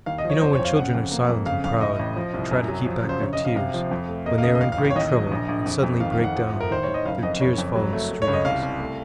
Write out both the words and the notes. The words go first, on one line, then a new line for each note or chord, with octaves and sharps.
You know, when children are silent and proud, and try to keep back their tears when they are in great trouble and suddenly break down, their tears fall in streams.
D#2 F5
D#5
F3
C#5
F2 C5
C#5
F2
F5
C#3 F#5
F2
A#3
F2
C#3 F5
F2 F5
A2 D#5
A1
F3
C2
F#2
F#3
F3
C#3
C5
A#1 C#5
D#5
A#1
F5
C3 F5
F3
F2
A3
A#3 D#5
F5
C#3 D#5
D#5
A1 F5
F5
A1
F5
C#5
D#2 D#5
F#3
A#1
A#1
F2
F2
D#3 F5
F5
F2
F#5
F3
A2
A#4
D#3 C5
D#3 C#5
D#5
F#1 F5
F2 D#5
F#1 C#5
F2
F#3
A3
A3
C#5
C#2
D#5
C2 F5
C2
A3